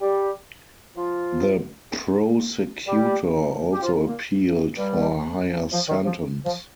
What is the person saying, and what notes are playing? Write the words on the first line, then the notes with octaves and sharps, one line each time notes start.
The prosecutor also appealed for a higher sentence.
G3 G4
F3 F4
G3 G4
G4
F3 F4
A#2 A#3
G2 G3
F3
D#3
F3
F3